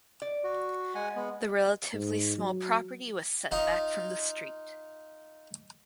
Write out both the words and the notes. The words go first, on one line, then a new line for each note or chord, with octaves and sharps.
The relatively small property was set back from the street.
D5
F#4
G#3 F#5 G#5
G#3 B3
G#2
F#3
D#4 F4